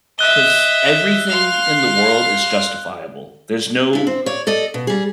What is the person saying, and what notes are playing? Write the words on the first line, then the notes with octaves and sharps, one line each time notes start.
'Cause everything in the world is justifiable. There's no
D#5 E5 F#6 G7
F5 C6
D4 E4
C4
C#5 D5
A4 D5 D#5
B2
G3 G#4